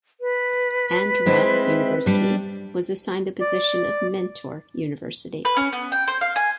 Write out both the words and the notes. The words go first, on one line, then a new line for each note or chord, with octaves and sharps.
Andhra University was assigned the position of mentor university.
B4
G#3 C4 E4
G3 D4
D5
B4
C#4
B3
G5
C5
F5
G#5